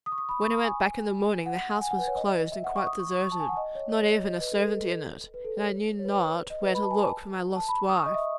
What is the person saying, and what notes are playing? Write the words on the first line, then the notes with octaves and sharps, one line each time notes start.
When I went back in the morning the house was closed and quite deserted; not even a servant in it, and I knew not where to look for my lost wife.
D#6
C#6
D#6
B5
C#6
D#6
G#5
F#5
G#5
F#5
B4
C#5
D#5
E5
F#5
C#6
D#6
C#6
C#6
C#6
A5
G#5
F#5
D#5
C#5
D#5
C#5
D#5
B4
A4
A4
B4
A4
C#5
C#5
B4
D#5
B4
B5
A5
G#5
A5
A5
B5
D#6
C#6
D#5
E5